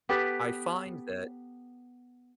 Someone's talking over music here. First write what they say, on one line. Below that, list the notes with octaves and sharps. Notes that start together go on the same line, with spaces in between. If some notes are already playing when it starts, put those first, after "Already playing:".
I find that
B3 G4 A4 B4